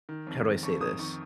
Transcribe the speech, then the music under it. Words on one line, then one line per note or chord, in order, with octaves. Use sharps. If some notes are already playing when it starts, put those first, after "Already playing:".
how do I say this?
D#3
F2
D#3
F2 C#6
D#3 D#6
D#3 C#6